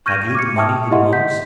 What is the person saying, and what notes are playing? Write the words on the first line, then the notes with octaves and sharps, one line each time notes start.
"Have you the money he demands?"
C#6 F6 G6 G#6 A#6 D#7
D#7
D6 F6 G#6 C#7
E5 G5 A5 C#6 D#6 F6
E4 G4 D#5 E5 F#5 C6
F#5 G6 B6